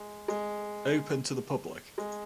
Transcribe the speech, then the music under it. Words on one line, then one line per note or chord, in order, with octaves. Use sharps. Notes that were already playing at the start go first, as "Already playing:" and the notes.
Open to the public.
Already playing: G#3
G#3
G#3